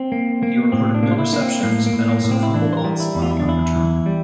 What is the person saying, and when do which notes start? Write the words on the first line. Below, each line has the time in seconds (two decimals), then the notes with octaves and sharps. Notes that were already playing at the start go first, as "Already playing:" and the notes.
He recorded no receptions and also fumbled once on a punt return.
Already playing: C4
0.12 A#3
0.43 A#3
0.72 A2 C4
0.95 D4
1.03 A#3
1.11 F4
1.18 E4
1.33 A#3 D4
1.41 C4
1.63 A2 A#3
1.86 A#3
1.93 A2
2.09 A#3
2.24 A2
2.31 C4
2.43 E4
2.54 E3 D4
2.73 C5
2.77 A#4
2.84 G3
3.00 E4
3.15 E2
3.22 F4
3.31 E4
3.40 D4
3.45 E2 E4
3.76 E3
4.06 G3